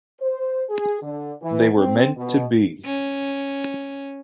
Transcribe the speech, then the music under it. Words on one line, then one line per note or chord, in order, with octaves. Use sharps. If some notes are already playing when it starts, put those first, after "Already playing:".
They were meant to be.
C5
G#4
D3
E3
C4
B2
C#4